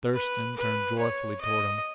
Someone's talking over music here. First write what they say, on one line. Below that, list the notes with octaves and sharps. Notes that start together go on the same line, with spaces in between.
Thurston turned joyfully toward him.
B4
B4
C#5
D#5